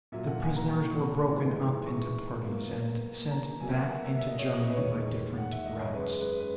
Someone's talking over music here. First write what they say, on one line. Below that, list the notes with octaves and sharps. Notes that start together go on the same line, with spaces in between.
The prisoners were broken up into parties, and sent back into Germany by different routes.
A#2 F#3 A#3 E5
F#5
G#5
A#5
C#6
G#2 E3 G#3
C#6
B2 F#3 A#3
A#5
B2 F#3 A#3 G#5
E5
F#5
E5
E5
D#5
C#5
D#5
B4
E2 D#3 G#3 C#5
F#5
E5
D#5
C#5
F#2 C#3 G#3 B4
B4
B4